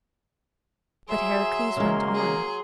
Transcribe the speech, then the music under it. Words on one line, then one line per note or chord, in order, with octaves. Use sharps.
But Heracles went on.
F#3 G#4 E5 C6
C#3 G#3 A#3
G#4